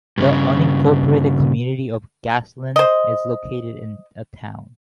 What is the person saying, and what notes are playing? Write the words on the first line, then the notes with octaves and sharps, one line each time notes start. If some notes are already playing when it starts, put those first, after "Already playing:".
The unincorporated community of Gaslyn is located in the town.
G2 C#3
C5 D#5